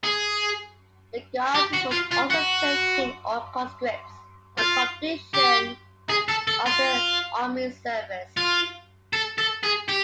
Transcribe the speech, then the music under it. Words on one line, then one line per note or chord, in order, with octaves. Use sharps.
The Garde would also take in all conscripts on completion of their army service.
G#4
G4
F#4
F4
F4
F#4
F4
G4
G#4
A4
A4
F4
F4
A4
A4
G#4
G4